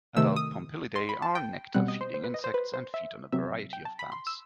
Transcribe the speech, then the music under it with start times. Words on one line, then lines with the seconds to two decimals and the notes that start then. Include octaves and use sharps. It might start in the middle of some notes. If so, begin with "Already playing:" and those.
Adult Pompilidae are nectar-feeding insects and feed on a variety of plants.
0.17 C3 D#3 A3 E6
0.36 D#6
0.96 C6
1.09 B5
1.22 A5
1.35 G5
1.74 B2 G3 C4 F#5
1.88 D#5
2.01 C5
2.14 C5
2.24 B4
2.34 D#5
2.44 C5
2.54 B4
2.74 C5
2.94 E5
3.32 C3 F#3 C4 E5
3.73 G5
3.85 A5
3.99 B5
4.12 C6
4.27 E6